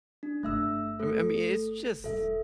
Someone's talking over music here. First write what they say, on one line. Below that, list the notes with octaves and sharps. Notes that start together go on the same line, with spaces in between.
I me I mean, it's just
D4
D1 G1 A3 E5 E6
A3 A4
D#1 G3 A4 E5